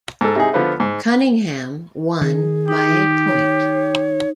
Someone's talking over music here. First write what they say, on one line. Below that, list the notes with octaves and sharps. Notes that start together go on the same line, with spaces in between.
Cunningham won by a point.
G#2 A4
C3 D#4 G#4
D3 F3 B3 F4
G#2
D#3 G#4
D#4 G4
C#5